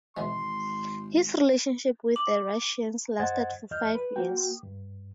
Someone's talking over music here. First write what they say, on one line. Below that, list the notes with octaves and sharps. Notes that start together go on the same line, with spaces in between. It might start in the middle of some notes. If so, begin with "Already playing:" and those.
His relationship with the Russians lasted for five years.
G#1 B2 E3 G#3 C6
D6 F#7
F#2 C5 D#5 F#5 G#6 A6
F2 D#5 F6 G6
B4
A#3 F#4 G5
G2